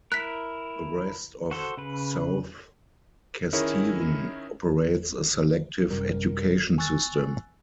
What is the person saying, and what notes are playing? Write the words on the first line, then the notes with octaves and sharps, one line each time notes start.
The rest of South Kesteven operates a selective education system.
E4 A#4 F#6 B6
F#4 A4 C5
C#3 B4
D#3 C#4 E4 G#4 A#4 C#5
G#1 F#2 C3 G3 A#4
G#5 C#6 E6 F#6 A6